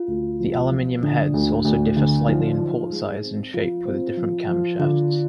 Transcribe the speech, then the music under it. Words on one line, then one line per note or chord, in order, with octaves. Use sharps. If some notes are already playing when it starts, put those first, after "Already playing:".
The aluminium heads also differ slightly in port size and shape with different camshafts.
Already playing: F4
D2
F3
F3
D3 D4
D2
D2
D3
F3 D#4
F3
G#3
C4
F3 F4
C4
F3
F3
D3 F4